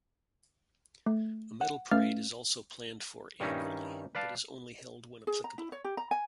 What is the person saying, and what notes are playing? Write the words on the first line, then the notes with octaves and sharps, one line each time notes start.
A medal parade is also planned for annually, but is only held when applicable.
A3
F#5
A3 C#4 B4 F5 F6 A6
G2 D#3 G3 C#4 D#4 E4
B4 D5 F5 A5
G#4
A#5
E4
C#5
G4
A#5
G#5